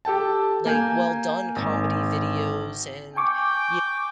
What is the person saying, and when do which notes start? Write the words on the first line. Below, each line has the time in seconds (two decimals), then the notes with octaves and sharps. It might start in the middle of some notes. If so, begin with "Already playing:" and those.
like, well done comedy videos. And you know,
0.05 G4 A4 G5 A5
0.66 A#3 G#5 G6
1.56 G#1
3.16 G5 G#5 C#6 D6